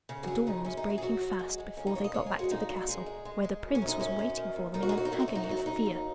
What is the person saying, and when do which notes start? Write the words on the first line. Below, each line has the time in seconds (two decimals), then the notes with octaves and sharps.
The dawn was breaking fast before they got back to the castle, where the prince was waiting for them in an agony of fear.
0.09 C#3
0.23 F#4
0.27 F#3 G#4
0.47 C#3 D#4
0.65 F#2 C#4
0.77 D#4
0.83 F#3
0.90 F#4
0.98 G#4
1.02 F#3 F#4
1.21 F#3
1.39 G#3
1.58 G#3
1.77 D#2 C#4
1.87 D#4
1.95 D#2 C#5
2.04 D#5
2.14 G#3 C#5
2.26 G#4
2.33 G#3
2.39 F#4
2.51 A#2 D#4
2.69 G#3 F#4
2.88 G#3 G#4
3.06 G#3
3.25 G#3
3.44 G#3
3.63 F#2
3.75 C#4
3.82 F#2
3.87 D#4
4.00 F#2 C#4
4.19 F#2
4.37 D#3
4.56 D#2
4.74 D#3 D#4
4.83 F#4
4.89 D#4
4.92 D#2
4.98 F#4
5.05 D#4
5.12 F#2 F#4
5.20 D#4
5.28 F#3 F#4
5.35 D#4
5.43 F#4
5.49 F#3 D#4
5.59 F#4
5.66 F#3 D#4
5.86 D#2